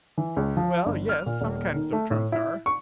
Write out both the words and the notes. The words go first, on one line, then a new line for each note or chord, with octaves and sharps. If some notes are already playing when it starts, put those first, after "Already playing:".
"Well, yes--some kinds of trunks are."
E3
C#2
F3
G1
F6
A#2
D#1
D#3
A3
A2
E4
C#6